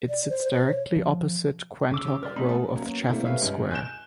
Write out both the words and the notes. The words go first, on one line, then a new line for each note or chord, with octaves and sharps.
It sits directly opposite Quantock Row of Chatham Square.
D5
C5
C5
C#5
F3
C#3 D6 E6
F3 C#4 G4
G3 A#4 D5 C6
A3 C4 D#4 A4 B5
A3 B3 E5 A5
F#3 A#3 B3 C#4
G3 A3 A#3 C4 E4
G4 A4 B4 C#5 E5 F5
C#2 G2
G#5 F#6 G6 E7